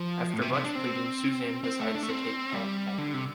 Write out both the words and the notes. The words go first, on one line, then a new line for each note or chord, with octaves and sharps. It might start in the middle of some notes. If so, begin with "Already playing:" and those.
After much pleading, Susan decides to take Pat back.
Already playing: F3
A2
C3
C3
D4
C4
C4
A3
D4
A3
C4
G3
D3
C3